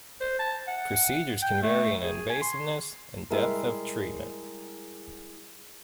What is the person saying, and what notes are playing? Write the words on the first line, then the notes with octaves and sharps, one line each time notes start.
Procedures can vary in invasiveness and depth of treatment.
C5
A5
F#5
G5
A3
G#4
G#5
C6
G3 G#3 E4 G#4 A#4